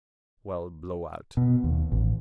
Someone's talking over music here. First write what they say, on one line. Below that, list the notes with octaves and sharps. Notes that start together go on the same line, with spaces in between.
Swell blowout.
B2
D#2
A1